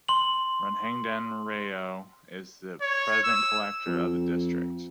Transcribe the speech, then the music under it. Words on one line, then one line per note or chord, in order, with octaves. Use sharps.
Ranghunandan Rao is the present collector of the district.
C6 F#7
C#5
E6
F2